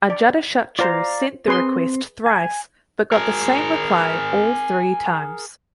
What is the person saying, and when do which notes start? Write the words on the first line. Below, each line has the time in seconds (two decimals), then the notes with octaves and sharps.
Ajatashatru sent the request thrice but got the same reply all three times.
0.10 D5
0.79 F4 C5 D5 F5 A#5
1.48 C4 G#4 B4 C6
2.26 G#5
3.12 G#4 A#4